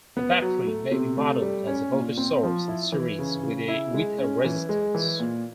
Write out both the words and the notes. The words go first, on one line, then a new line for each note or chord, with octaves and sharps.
A battery may be modeled as a voltage source in series with a resistance.
B3
F#3
A3
C3
A3
G3
C#4
A#2
C4
F3
E4
E3
C#3
C#3
E4
G#3
C#4
E3
G#3
E3
A#2